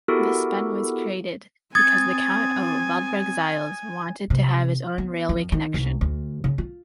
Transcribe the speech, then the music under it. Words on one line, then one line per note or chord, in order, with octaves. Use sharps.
This bend was created because the Count of Waldburg-Zeil’s wanted to have his own railway connection.
B3 E4 F#4 G4 A4 A#4
C4 G#5 D#6 G#6 A6
C3
B3
F2
D#3
C2
D2
C#3
F4